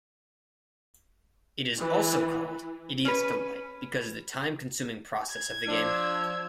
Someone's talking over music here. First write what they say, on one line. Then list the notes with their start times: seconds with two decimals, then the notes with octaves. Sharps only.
It is also called Idiot's Delight because of the time-consuming process of the game.
1.78 E3
3.05 C#4 B4
5.29 G#6
5.68 F3 D4 E6